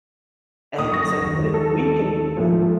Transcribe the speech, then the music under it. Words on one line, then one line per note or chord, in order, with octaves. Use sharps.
and it's like, "What if we can move"
D2 A#2 D#6
F#2 C#6 A#6
D#2 D#3
A4
G#2 F3 A3